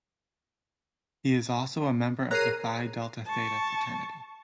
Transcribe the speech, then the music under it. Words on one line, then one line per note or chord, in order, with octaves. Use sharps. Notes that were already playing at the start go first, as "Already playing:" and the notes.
He is also a member of the Phi Delta Theta Fraternity.
G#4 A#4 C#5 A#5 F#6 C7 D#7
A5 C#6